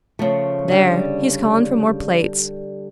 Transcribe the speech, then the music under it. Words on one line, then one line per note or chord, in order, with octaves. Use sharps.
There, he's calling for more plates.
C#3 F3 A3
D3 G3